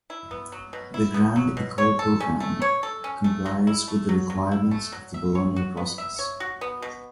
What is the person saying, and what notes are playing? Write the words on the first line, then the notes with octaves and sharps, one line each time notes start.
The Grande Ecole programme complies with the requirements of the Bologna Process.
E4
B3
F#3
B2
E4
B3
F#3
B2
C#5
A4
C#4
A3
C#5
A4
C#4
A3
F#3
E4
A3
F#3
F#3
E4
A3
F#3
E5
C#5
F#4
B3
E5
C#5
F#4
B3
B2